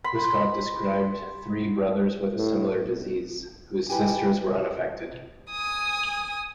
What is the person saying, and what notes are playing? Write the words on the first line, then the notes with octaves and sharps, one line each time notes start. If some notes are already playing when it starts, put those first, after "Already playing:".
Wiskott described three brothers with a similar disease, whose sisters were unaffected.
B5 C6
A2
B1
E4 G4 B4 G#5
G#5 D#6